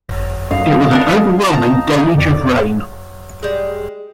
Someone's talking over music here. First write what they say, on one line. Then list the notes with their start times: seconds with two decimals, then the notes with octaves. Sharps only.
It was an overwhelming deluge of rain.
0.51 F#2 D#5 F5
0.91 B3 D4 A#4
1.48 D#4 A5 A#5
2.17 F2 D5
3.43 G3 G#3